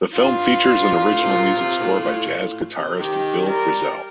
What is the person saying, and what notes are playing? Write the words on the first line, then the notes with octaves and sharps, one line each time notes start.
The film features an original music score by jazz guitarist Bill Frisell.
G2 F4
A2
C3
A#2
C3
A2
A2
A2
C3
D#3 G4
G3 A#4